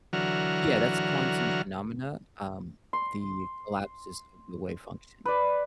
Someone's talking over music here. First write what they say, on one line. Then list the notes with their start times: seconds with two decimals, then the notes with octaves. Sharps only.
Yeah, that's quantum phenomena, um, the collapses of the wave function.
0.13 D3 E3 F#3 F#4 A#5 F6
2.93 C6
5.26 B4 D5